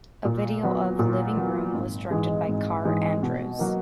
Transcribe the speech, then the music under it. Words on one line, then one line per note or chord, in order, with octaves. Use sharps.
A video of "Living Room" was directed by Kaare Andrews.
A#2
F#3 B3
A#2
F#3 B3
G#1
G#2 E3 G#3
G#1
G#2 E3 G#3
B2
F#3 A#3